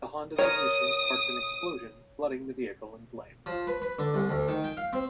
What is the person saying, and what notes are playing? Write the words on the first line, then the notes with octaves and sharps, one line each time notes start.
The Honda's ignition sparked an explosion, flooding the vehicle in flames.
A#4 C#5 D#6
F3
B4
B4
D3
C2
D2
D#3
G5
F5
C4